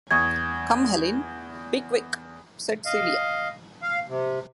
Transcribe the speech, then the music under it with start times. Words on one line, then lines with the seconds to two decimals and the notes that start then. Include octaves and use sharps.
"Come, Helene, be quick," said Celia.
0.11 E2 C#6 D#6 G#6
2.86 D#5 F5
3.82 F5
4.09 C3